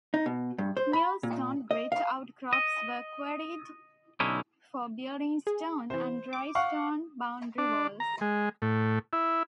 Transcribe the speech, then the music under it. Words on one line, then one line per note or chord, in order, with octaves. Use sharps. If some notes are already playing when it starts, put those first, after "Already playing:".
Millstone grit outcrops were quarried for building stone and dry stone boundary walls.
D#4
B2
G2
C5
B5
A#2
D#5
F5
D#5
B1 D3 C#4 D#4 E4
G#4
C3 E3 C5
D6
F5 F#5 C#6
D4
A#5
G#3
A2
E4